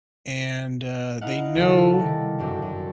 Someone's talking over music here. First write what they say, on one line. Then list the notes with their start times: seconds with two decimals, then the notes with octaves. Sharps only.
and, uh, they know
1.21 D#4 E4 D#5 F5 F#5
1.55 D#2 C#3 A4
1.77 E4 A4
1.98 C3 D#3 G3
2.39 G1 F#2 C4 D4
2.62 F#2